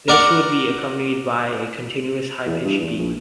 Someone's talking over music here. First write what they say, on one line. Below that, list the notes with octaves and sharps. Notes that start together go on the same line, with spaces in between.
This would be accompanied by a continuous high pitched beep.
A#4 D5 F#5
E2
G2
E2
A#1